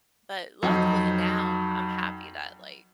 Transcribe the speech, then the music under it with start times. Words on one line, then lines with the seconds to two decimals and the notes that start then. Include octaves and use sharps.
But luckily now I'm happy that, like,
0.63 F2 F#3 D#4